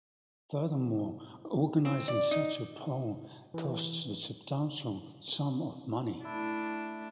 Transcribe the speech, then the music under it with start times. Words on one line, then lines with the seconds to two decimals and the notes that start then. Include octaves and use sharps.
Furthermore, organizing such a poll costs a substantial sum of money.
1.85 C4
2.08 D5
2.31 D#4
3.54 E3
6.25 A3 D4 E4